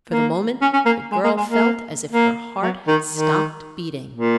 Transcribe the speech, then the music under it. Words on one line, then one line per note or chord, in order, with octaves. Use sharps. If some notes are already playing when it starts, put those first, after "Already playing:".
For the moment the girl felt as if her heart had stopped beating.
A#3
C#4
C#4
A#3
G#3
A#3
G#3
A#3
A#3
F#3
D#3
D#3
A#2